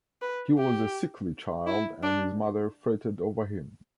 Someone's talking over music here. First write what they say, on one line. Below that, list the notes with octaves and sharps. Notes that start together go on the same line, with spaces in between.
He was a sickly child, and his mother fretted over him.
B4
G4
E4
D4